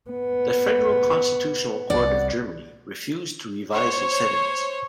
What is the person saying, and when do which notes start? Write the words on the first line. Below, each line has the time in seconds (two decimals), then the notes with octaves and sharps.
The Federal Constitutional Court of Germany refused to revise his sentence.
0.11 B3
1.90 C2 D5 F#5
3.71 C5 C#5